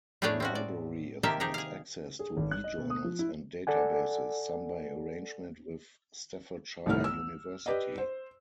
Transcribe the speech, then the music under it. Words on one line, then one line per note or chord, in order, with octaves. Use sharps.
The library affords access to eJournals and databases, some by arrangement with Staffordshire University.
A2 A3 D4 G#4 C#5 D5
C4 C#4 F#4
D5
C3 D#3 A#3 G4 E5 A5
D#4 G4 G#4
G#4 F5
G#4
G#1
F#6
D#5
B2
D#6
F3
E4
A4 D5 F#5 G#5
C2 A2 D#3 A3 E4 F6
E6
G4 B4 D5 D#5
C5